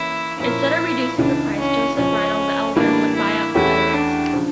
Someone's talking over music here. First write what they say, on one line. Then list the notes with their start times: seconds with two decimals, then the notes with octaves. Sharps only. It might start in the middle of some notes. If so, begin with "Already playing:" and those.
Instead of reducing the price, Josef Riedel the elder, would buy out competitors.
Already playing: E3 A#3 C#4 E4
0.39 A#2 F3 C#4 E4 F4 A#4
1.18 C#2 C#3 E3 D4
1.58 C#4
1.97 C#2 C#3 F3 C#4
2.76 A2 E3 G3 A#3 D4
3.15 E4
3.55 E2 E3 A3 C#4 E4 G4
3.94 D4
4.33 C#3 F3